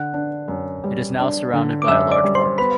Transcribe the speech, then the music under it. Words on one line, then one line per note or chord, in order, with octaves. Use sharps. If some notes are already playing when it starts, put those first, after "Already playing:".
It is now surrounded by a large park.
Already playing: D3 F#5 F#6
D4
F#2
G3
D4
D3
D6
F#2 E5 E6
D5 D6
G3
C5 C6
B3 B4 B5